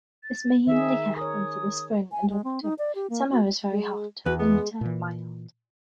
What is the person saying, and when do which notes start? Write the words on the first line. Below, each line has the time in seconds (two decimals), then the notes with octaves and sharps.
This mainly happens in the spring and autumn; summer is very hot, winter mild.
0.23 A6
0.67 D#3 D#4 G#4 E5
1.17 A#4 C#5 D#6
2.12 G#5
2.29 G#3
2.44 C4
2.62 D#4
2.79 D5
2.95 G4
3.10 A#3
3.31 F#4
3.70 G#3
4.26 E2 F#4 B4
4.39 G#3 B3
4.81 A#2 E3